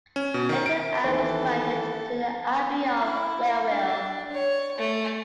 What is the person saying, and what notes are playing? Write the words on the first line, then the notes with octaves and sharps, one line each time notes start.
Little Ann was granted to the Abbey of Wherwell.
C#4
B2
D#3
D7
D#2 E3 A4 C5 C6
E4
D4
C#5
A3